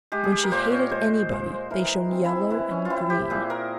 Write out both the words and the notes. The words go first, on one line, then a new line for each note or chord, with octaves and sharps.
When she hated anybody, they shone yellow and green.
G#3 G4
G#4
G4
A#4
A#2 C5
C#5
G#3 C5
G#3 C5
E3 A#4
C4
E4
E3 E4
C#4
F4
C4 E4
G4
A#2 G#4
A#4